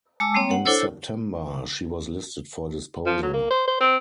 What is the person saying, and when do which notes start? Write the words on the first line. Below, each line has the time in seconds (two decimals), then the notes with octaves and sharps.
In September she was listed for disposal.
0.20 G#3 A5 D6 E6
0.34 G3 A#3 C4 C#5
0.51 F#5
0.65 D4 E4 A4 C5 C#5 E6
3.06 F3
3.23 F#3
3.34 A#3
3.50 C5
3.68 C5
3.80 C4